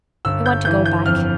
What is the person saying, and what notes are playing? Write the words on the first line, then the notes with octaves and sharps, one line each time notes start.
I want to go back.
G1 E6
G6
E3 G6
G6
F2 F6